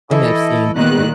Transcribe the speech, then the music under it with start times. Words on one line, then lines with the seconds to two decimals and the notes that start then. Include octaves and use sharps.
from Epstein through
0.11 E3 E4 A4 D#5
0.75 A#2 D#3 G3 B3 F#6